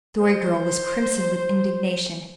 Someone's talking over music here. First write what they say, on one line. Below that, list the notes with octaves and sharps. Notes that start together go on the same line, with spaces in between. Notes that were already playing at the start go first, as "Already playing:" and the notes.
The Story Girl was crimson with indignation.
C5